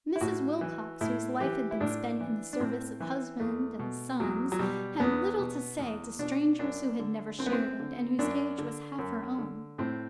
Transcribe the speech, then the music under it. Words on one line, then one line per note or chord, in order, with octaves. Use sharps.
Mrs. Wilcox, whose life had been spent in the service of husband and sons, had little to say to strangers who had never shared it, and whose age was half her own.
E4
A2 F#4
E3
A2 E4
E3 G4
E4
A2 D4
E3
D4
A2 C4
E3
E2 A3
B2
E2 F#3
F#3
B2 G3
E2 B3
B2
E2
B2 D4
F#2 D4
D3
F#2 C4
B3
C4
D3
F#2 D4
D3
F#2
D3
A2 C4